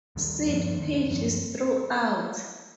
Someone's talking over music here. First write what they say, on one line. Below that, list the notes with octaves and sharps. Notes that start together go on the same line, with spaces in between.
Seat pitch is throughout.
D#2 D#3 G3 D4
G2 F3 A#3
D#2 D#3 A3
G2 F3 C4